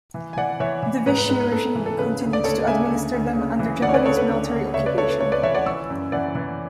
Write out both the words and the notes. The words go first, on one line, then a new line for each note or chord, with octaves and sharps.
The Vichy regime continued to administer them under Japanese military occupation.
E3
G#5
E3 D5 F#5
E3 C#5 E5
E3
G#2 B4
B4
G#2 B4
B4
G#2 A4
E3
A4
C#3 B4
D2
D5
D2 A4 C#5
C#3 E5 G#5
D2
D2
C#3
E3
D2 D5 F#5
C#5
B4 D5
C#3 A4 C#5
B4
D2
D2
C#2 C#5 E5
B4 D5
C#2 A4 C#5
B4
C#2 A4 C#5
B4 D5
E3 C#5 E5
D5 F#5
E3 C#6 E6
F#2
E3 D5 F#5
E3